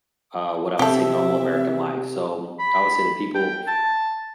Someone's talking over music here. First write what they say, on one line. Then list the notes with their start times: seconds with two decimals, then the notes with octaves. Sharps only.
uh, what I would say normal American life. So, I would say the people
0.79 C3 C4 G4 A4 E5
2.59 B5
3.35 G5
3.68 A5